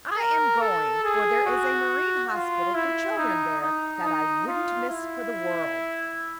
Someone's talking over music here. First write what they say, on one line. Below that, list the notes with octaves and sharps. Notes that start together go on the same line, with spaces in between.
"I am going, for there is a marine hospital for children there, that I wouldn't miss for the world."
A#4
A4
G#4
F#4
F4
E4
D#4
D#4
D#4
F4
E4